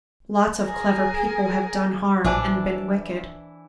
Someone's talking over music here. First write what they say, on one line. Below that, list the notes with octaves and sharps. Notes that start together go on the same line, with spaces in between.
Lots of clever people have done harm and been wicked.
G#4 A#4
A#1 E3 D4 C5 E5 G#5 A5 D6